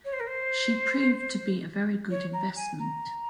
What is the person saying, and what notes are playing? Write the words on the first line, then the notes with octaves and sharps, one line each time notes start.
She proved to be a very good investment.
C#5
C5
A#4
C5
C#5
A#5
G#5
A#5